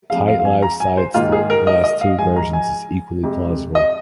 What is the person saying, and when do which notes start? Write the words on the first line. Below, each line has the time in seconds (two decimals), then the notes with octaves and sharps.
Tite-Live cites the last two versions as equally plausible.
0.10 F2 F3 G#3 F5
0.28 F5
0.40 F5
0.45 G#5
0.62 A#5
0.80 G#5
0.97 C5
1.14 G#2 D#3 A#3 F4
1.32 G#4
1.50 A#4
1.67 D#5
1.84 D#5
2.01 F5
2.19 G#2 F3 G#3 G#5
2.36 A#5
2.53 G#5
3.23 F2 C3 G#3
3.75 D#5